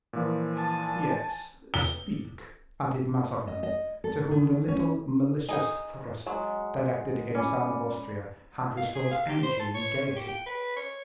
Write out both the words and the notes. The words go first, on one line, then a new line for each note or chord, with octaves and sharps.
"Yes, speak," added Mazarin, to whom the little malicious thrust directed against Anne of Austria had restored energy and gayety.
A#2 E3 F3
G#5 A5
G7
D#5
D#5
A4
D#3
C#4
D#4 G#4 G5 G#5
F#3 G#3
C#4 D5 G#5 B5
F5
G#4
F5
G4
C5
A5
C#5
C#5
G4
G5
B4
C#5